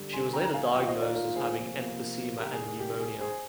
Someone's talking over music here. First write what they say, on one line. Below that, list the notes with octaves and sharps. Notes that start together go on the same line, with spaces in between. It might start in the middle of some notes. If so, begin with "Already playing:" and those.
She was later diagnosed as having emphysema and pneumonia.
Already playing: G2 D3 G3
G#5 C6
G5 A#5
A#5
F5 G#5
D#3 A#3 F4 D#5 G5
F5
C5 D#5
A#4 D5
A#4 D5
G#4 C5
C3 F3 A#3
C3 D#3 G3 A#3 G4 A#4
G#4
G#4
G4
G#4
G#4 C5